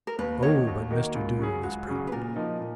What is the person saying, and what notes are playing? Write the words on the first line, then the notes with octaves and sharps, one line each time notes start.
Oh, but Mr. Doodle was proud!
A#4
D#2 B4
D#3 A#3 D#4 F#4 C#5
D#2
D#3 A#3 D#4 F#4
C#2
C#3 F#3 C#4 G#4
C#2 F#4
C#3 F#3 C#4 G#4
B4
A#2 A#4
F3 A#3 D#4
A#2